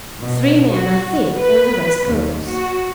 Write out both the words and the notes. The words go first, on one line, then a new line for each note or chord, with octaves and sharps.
Three men, I think, and the rest girls.
B2
F#4
B4
D#2
F#4